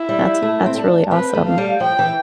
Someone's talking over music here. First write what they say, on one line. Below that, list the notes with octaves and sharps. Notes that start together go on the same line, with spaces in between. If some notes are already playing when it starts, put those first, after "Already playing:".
That's that's really awesome.
Already playing: E4
G3
A3
C4
D4
C4 B4
A3
F5
G3
F3 G5
E3